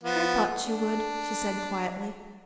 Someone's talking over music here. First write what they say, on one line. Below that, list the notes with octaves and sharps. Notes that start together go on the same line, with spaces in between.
"I thought you would," she said quietly.
F3 B3
D4